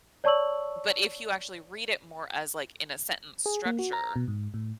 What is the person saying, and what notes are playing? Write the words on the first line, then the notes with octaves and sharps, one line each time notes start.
but if you actually read it more as, like, in a sentence structure
C#5 D5 A5 C#6 E6 F#7
G#4
A#3
F#4
A#5
B2
G#2
A2